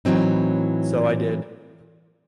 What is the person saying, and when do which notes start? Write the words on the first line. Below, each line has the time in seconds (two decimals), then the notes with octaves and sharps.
So I did.
0.05 A2 E3 F#3 C4 D#4